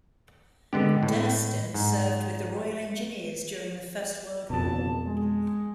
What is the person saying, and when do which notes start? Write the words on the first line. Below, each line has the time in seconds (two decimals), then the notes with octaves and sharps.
Durston served with the Royal Engineers during the First World War.
0.73 D3 G#3 B3 G4
1.03 A2
1.74 G#2
4.50 F#1 F2 B2 A5
5.05 G#3